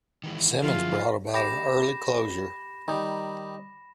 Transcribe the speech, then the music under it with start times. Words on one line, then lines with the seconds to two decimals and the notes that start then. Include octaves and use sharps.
Simmons brought about an early closure..
0.24 D#3 E3 G#3
0.63 D3 F3 F#3 E4 F4 G#4
1.34 G4 B5 A#6 E7
2.88 D#3 G3 D#4